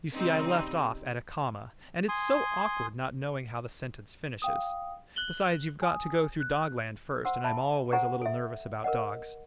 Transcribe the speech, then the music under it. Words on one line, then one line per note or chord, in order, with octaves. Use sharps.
You see I left off at a comma, and it's so awkward not knowing how the sentence finishes! Besides, you've got to go through Dogland first, and I'm always a little nervous about dogs.
C#3 G3 C4 D#4
G#5 C6 D#6
F5 G5 D#6
F#6 F#7 G7
G#5 D#6
F#6
C5 F#5 C6 E6
E5 A5 B5
A4 C5 F#5 A#5 C#6
A4 E5
A#4 B4 D#5 F#5